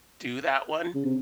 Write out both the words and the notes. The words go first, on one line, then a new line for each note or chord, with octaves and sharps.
do that one,
C#3
C3